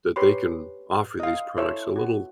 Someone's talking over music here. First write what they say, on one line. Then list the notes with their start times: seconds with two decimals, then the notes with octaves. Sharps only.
that they can offer these products a little,
0.16 G4 B4 C#5 B5 C6
1.20 D#5 F5
1.57 E4 A4 C5 C#5 E5 E6
1.96 F#4